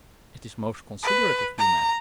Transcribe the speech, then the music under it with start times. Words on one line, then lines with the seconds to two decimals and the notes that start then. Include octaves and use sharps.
"It is most considerate of you, madam."
1.03 B4
1.59 A#5